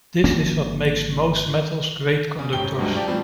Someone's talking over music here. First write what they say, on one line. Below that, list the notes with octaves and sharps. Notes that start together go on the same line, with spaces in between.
This is what makes most metals great conductors.
G#1 F3 A#3 C#4
C#3
G#1 C#4 G4 G5 G7
D2 G2 F#3 G#3
F4 G4 D5 G5 A5
A2 E3 F3 G3 C4